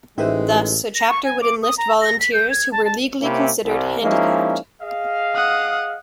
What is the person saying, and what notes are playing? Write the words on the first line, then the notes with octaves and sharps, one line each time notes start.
Thus, a chapter could enlist volunteers who were legally considered handicapped.
A1 A2 G#3 D#4 G4 B4 C5 E5
A#6
C#6
G#5
D6
D#6
A#5
A#6
B6
G6
G#6
A5
A5
C3 A#3 C4 C#4 E4
C2
F3 G#3 A#3 C#4 D#4 E4
G#4 D#5 F5
F#5 D#6